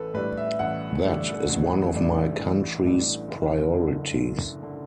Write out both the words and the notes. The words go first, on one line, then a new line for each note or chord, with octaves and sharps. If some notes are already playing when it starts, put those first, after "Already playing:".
That is one of my country's priorities.
Already playing: A1 A4 B4
A2 G3 D4 B4
E5
A1 F#5
A2 G3 D4
A1
A2 G3 D4
A1
A2 G3 D4
F#1
F#2 D3
F#1
D3